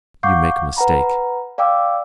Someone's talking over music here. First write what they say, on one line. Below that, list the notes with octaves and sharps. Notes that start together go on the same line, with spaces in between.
"You make a mistake."
F5 F#5 C#6 D6 G6 C7
B4 F#5 A#5 B5
D5 F5 G5 D6 E6